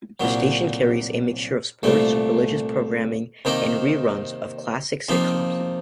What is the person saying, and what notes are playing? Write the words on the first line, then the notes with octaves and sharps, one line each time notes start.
The station carries a mixture of sports, religious programming, and reruns of classic sitcoms.
C2 A#2 F#3
C2 A#2 A3
C3 D#3 A#3 D#4
C3 F3 A#3 D#4